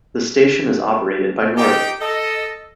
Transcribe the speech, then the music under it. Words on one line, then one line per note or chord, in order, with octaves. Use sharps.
The station is operated by Northern.
D#4 G4 G5
A4 D#5